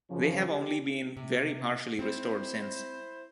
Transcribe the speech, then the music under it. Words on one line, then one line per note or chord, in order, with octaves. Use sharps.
They have only been very partially restored since.
F#2 C#3 F3
G4
C3
C4 E4 C5